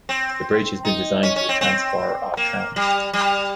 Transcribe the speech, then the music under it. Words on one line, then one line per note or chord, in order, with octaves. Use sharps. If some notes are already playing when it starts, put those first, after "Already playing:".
The bridge has been designed to the transfer of trams.
C4
D#4
C#4
C#4
C4
C4
A#3
G3
G3